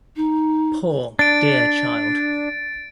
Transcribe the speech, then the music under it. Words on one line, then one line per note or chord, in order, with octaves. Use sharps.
Poor dear child!
D#4
D4 A6 D7